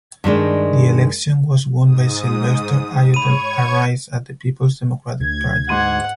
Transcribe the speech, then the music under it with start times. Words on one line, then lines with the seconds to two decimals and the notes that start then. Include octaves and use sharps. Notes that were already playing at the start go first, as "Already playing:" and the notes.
The election was won by Sylvester Ayodele Arise of the Peoples Democratic Party.
0.24 G2 D#3 G#3 D4
1.83 G#2 D#6
3.14 C#5 B5 C#6 G#6 D#7
5.20 D2 G#6
5.69 G#2 F#5 C6 D#7